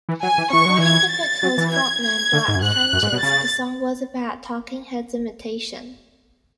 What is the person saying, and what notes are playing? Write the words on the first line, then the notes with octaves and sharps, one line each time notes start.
According to Pixies frontman Black Francis, the song was a bad Talking Heads imitation.
E3
F#3 G#5
E3
E3 C#6
F#3
E3 G#6
A6
F#3
E3
G#6
G#6
D3
G#2
F#2
G#2 F#6
F#2
G#2
B2
C#3 A6